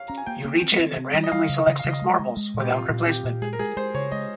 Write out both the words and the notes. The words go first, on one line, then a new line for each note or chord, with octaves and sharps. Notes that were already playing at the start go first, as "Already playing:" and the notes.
You reach in and randomly select six marbles without replacement.
Already playing: C#5 F5
C#4 A#5
G#5
A#3 G5
A#3
C4
C4
C4
G3
D#5
G3 F5
C#3
C#3 D#5
F5
C#3
D#5
G#3
G#3
G#3
A#2
G4
C4 F4
A#2
C4 G4
A#2
G#3 G#4
A#4
G#3 G#4
G#3 C5
C#3 C#5
G#3 D#5